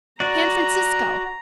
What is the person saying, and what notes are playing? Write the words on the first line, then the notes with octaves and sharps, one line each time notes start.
San Francisco!
F#4 D5 A#5